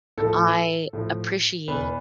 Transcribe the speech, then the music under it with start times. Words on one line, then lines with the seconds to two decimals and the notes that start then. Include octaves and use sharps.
I appreciate
0.18 A2 F3 A4
0.93 A2 F3
1.68 E2 B2 B4
1.81 B4